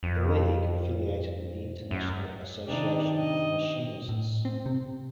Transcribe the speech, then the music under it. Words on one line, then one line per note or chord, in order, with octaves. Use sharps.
The League affiliated with the International Association of Machinists.
F2
F#2
C3 D#3 D4 D#4
D#5
A2
C4
C3